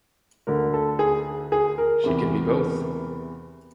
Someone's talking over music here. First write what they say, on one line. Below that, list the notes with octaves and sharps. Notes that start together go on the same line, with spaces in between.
She can be both.
D2 D3 A#4
A4
G#4
G#4
A#4
E2 C3 E3